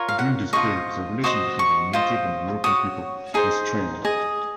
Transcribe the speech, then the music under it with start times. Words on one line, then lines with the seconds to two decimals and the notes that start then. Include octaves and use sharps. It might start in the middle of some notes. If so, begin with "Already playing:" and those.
During this period, the relations between the native and European people were strained.
Already playing: F4 A#4 C#5
0.09 F5
0.19 F#5
0.53 F4 G#4 C5 D#5 C#6
1.24 F#4 C5 D#5 D#6
1.59 C#6
1.93 F4 C5 D#5
2.64 F#4 C#5 D#6
3.34 D#4 G#4 C5
4.05 G#4 D#5